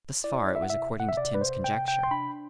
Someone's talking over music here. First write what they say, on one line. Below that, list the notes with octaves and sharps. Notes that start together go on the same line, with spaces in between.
Thus far it was according to Tim's conjecture.
E4 D5
E5
F#5
C3 E5
F#5
E5
C3 D5
B4
C5
C3 G5
G5
C6
D4 B5